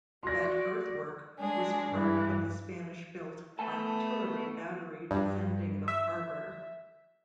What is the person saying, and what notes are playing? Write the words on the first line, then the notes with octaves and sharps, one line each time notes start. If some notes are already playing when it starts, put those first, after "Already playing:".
That earthwork was part of the Spanish-built artillery battery defending the harbor.
F#4 D5 C6 A#6
G#3 D4 G#4
G2 E3
A3 B3 A4 A5
G2
E5